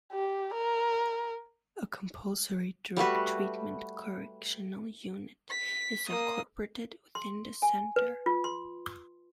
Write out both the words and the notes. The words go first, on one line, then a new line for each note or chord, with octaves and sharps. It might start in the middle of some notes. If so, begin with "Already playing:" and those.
A Compulsory Drug Treatment Correctional unit is incorporated within the Centre.
G4
A#4
G3 A3 F#4 B4
B6
A#3 D#6
C6
G#5
B4
F4
C6